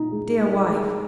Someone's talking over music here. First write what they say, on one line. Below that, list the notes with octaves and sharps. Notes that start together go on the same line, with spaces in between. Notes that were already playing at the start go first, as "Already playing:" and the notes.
Dear wife!
Already playing: A#2 D#4
G#3
G#3
G#3